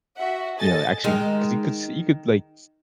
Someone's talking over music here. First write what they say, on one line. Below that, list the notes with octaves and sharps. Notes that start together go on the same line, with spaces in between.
you know, actually 'cause you could s you could, like, s
F#4 E5 F#5
A4 D#5 G#5 A6
D#3 G#3